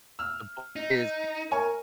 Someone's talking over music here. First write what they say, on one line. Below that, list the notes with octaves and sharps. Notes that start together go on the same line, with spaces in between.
the book is,
E6 F6
D#4
A#4 C#5 G#5 C#6